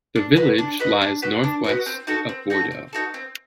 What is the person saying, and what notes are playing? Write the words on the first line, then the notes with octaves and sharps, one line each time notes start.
The village lies northwest of Bordeaux.
D4
F#4 B4 D#5
D4
F#4 B4 D#5
D4
F#4 B4 D#5
D4
F#4 B4 D#5
C4
D#4 F#4 A4
C4
D#4 F#4 A4
C4
D#4 F#4 A4
C4